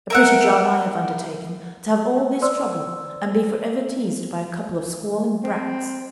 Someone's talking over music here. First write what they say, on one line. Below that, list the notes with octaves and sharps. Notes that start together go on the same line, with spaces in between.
A pretty job I have undertaken, to have all this trouble and be for ever teased by a couple of squalling brats!
A#4 E5 F#5
C5 D5 C6 E6
C4